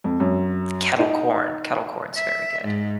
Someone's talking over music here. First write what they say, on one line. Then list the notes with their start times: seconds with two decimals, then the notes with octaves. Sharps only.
kettle corn, kettle corn's very good.
0.04 F2
0.20 F#2
0.99 D#4
2.17 E5
2.63 G#2